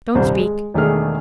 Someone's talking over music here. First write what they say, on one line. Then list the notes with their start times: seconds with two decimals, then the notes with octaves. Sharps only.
Don't speak.'
0.15 D#1 C2 G2 C5
0.34 G#3
0.74 E1 D#3 A3 D4 G#4 F6